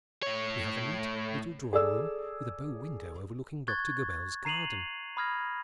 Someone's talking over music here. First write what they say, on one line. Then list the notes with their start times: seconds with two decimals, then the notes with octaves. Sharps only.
We have a neat little drawing-room with a bow window overlooking Dr. Gabell's garden.
0.23 A2 C#5
1.73 G#4 A4 D5 E6
3.68 C#6 F#6 G#6 A6
4.45 A#5 C7 D#7 F7 F#7
5.17 B5 D#6 F6 G#6 A#6